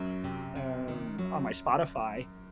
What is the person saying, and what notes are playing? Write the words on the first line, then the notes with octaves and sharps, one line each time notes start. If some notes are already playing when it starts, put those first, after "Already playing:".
um, on my Spotify,
Already playing: F#2 F#3
C3
C3
D#3
F#3